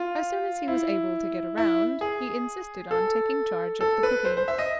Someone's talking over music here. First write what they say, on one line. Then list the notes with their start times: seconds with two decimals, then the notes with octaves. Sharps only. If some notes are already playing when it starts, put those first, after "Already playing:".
As soon as he was able to get around he insisted on taking charge of the cooking.
Already playing: F4
0.68 E4
1.58 E4
2.01 G#4
2.91 A4
3.81 A4
4.03 B4
4.25 C5
4.37 C5
4.48 E5
4.58 D#5